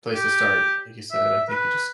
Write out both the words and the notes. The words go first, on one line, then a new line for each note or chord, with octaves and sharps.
place to start. Like you said, I think you just
G4
E5
B4